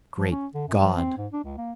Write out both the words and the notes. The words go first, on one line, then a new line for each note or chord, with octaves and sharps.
Great God!
F3
C#4
D3
F#2
F3
C4
G#2
D4
C#2
A#3